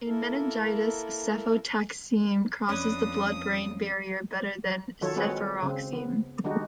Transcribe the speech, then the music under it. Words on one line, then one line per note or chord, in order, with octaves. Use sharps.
In meningitis, cefotaxime crosses the blood-brain barrier better than cefuroxime.
A#3 E4 A4 A#4
F2 C#4 D4 B4 D#6
D#3 F#3 F4 A4 C#5
G#3 C4 F#4 G#4 B4 C#5
C#3 C4
B3
D#3 G3 G#3 D4 D#4 F#4